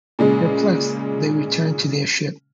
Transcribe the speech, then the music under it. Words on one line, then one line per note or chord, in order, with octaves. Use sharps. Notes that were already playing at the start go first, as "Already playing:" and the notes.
Perplexed, they return to their ship.
A#2 C#3 G#3